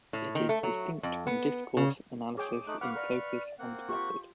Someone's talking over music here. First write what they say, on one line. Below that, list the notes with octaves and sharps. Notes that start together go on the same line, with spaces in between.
It is distinct from discourse analysis in focus and method.
A2
D#3
A3
F#3
F2
B3
C#3
G#4 C#5 G5 D6
A3 D#4 F#6
B4 F5 F#5 C#6 F6
A#4 D5
A#3 C4 F#5
F4 G4 C#6